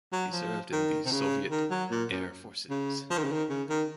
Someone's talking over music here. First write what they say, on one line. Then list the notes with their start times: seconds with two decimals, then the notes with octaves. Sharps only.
He served in the Soviet Air Forces.
0.12 F#3
0.32 F3
0.72 D#3
1.05 C3
1.11 C#3
1.51 D#3
1.71 F#3
1.90 A#2
2.11 F#2
2.70 C#3
3.10 F3
3.18 D#3
3.24 C#3
3.32 D#3
3.49 C#3
3.69 D#3